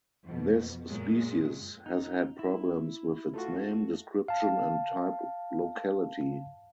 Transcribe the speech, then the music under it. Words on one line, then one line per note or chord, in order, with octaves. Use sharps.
This species has had problems with its name, description and type locality.
F2 B2
F#2 A#2 F#3 G#3
D#4
E4
A3 F4 F#4
F5 A5